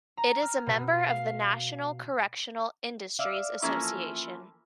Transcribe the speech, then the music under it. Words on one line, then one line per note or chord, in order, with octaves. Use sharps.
It is a member of the National Correctional Industries Association.
A#5
F6
B2
F5
D5 E5 F5
E3 F3 A#3 C#4 E4 A4